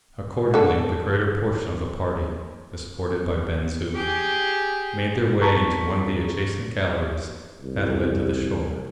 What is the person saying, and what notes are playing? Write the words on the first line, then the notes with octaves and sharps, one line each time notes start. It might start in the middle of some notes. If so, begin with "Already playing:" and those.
Accordingly the greater portion of the party, escorted by Ben Zoof, made their way into one of the adjacent galleries that led to the shore.
D3 A4
G4 G#4
A5 A#5 C#6 B6
C2